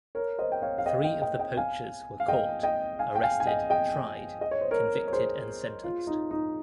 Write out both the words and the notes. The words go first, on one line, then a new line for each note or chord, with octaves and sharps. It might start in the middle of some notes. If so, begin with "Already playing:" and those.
Three of the poachers were caught, arrested, tried, convicted and sentenced.
A#4 C#5
C5 D#5
G5
C#5 F5
F5
D#5 G5
D#5 G5
D#5 G5
D#5 G5
F5 G#5
F5
D#5 G5
D#5 G5
F5 G#5
G5
F5 G#5
G#5
D#5 G5
D#5 G5
D#5
C#5
C5
A#4 C#5
C#5
G#4 C5
F4
D#4
D#4